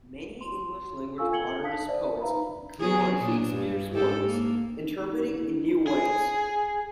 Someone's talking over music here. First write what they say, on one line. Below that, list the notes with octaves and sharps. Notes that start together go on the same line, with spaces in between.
Many English-language Modernist poets drew on Shakespeare's works, interpreting in new ways.
C6
F4 A4 F5 G#5 C#6 E6
A4 G5 G#6 C#7 F#7 G7
F5 A5 D#6 B6
C5 D5 E5
D#4 B4 E5 F5 A#5 B5
F#3 B3 G#4
A#2 D4
G2
G#2 G4 A4
A#3
G#4